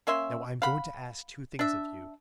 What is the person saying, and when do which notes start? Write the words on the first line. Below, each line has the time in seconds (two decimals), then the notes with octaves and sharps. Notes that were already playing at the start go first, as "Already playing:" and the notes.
"Now I am going to ask two things of you."
0.07 A#3 C#4 E5 C6
0.62 F5 F#5 B5
1.59 D4 E5